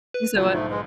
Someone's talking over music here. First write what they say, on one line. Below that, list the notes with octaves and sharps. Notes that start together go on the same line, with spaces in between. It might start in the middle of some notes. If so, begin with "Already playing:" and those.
You say what?
B4
B1 D3 F3 F4
G#2 A3
G#3 B4